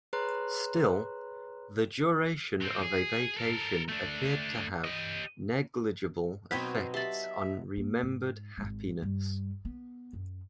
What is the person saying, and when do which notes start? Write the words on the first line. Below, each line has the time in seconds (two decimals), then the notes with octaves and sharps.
Still, the duration of a vacation appeared to have negligible effects on remembered happiness.
0.13 G#4 B4 C#5 A#5 C6 F#6
2.62 F#3 C4
2.82 G#4
3.36 A4 A#4
3.89 A3 D4
4.85 G4 D#5
6.51 B2 F#3 B3 C4 D#4 F#4 B6
6.94 G4 E5 A5 B5 C6 A6
7.77 A#3
8.03 G#2
8.57 G#1 G#3
9.02 G2 G3
9.65 B3
10.13 F#2